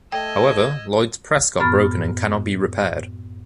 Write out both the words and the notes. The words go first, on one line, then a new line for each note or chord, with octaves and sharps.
However, Lloyd’s press got broken and cannot be repaired.
A3 A4 D#5 G5 E6 G#6
F#2 A2 B3 B5 F6 A6